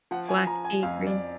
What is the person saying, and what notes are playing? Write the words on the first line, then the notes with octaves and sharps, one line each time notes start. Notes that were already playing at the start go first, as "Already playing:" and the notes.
Black tea, green
F3 F#5
G#5
F3 A#5
G#5
F2 F5
D5